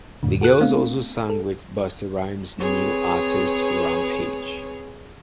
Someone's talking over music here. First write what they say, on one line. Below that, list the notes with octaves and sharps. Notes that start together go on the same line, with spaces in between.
The girls also sang with Busta Rhymes' new artist Rampage.
F2 A2 D3
F#4 A4 F#6
A3 B3 C4 D4 F5
A4
C4 G#4 B4 C#5